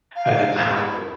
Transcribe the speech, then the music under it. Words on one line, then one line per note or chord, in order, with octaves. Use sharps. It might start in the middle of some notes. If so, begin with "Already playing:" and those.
uh, in the house
F5
E4